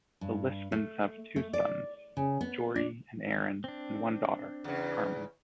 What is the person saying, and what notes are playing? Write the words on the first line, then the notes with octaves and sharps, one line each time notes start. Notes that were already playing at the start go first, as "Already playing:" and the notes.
The Lishmans have two sons, Geordie and Aaron, and one daughter, Carmen.
G2
A3
A3
D5
C#3
B3
D4
C4 D4
E2 C#3